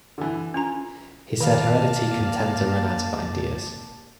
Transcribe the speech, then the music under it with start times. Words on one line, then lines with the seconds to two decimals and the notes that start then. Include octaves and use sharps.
He said, Heredity can tend to run out of ideas.
0.18 D3 E3
0.54 C#4 F4 A#5
1.41 D#3 A#3 D5 F5 A5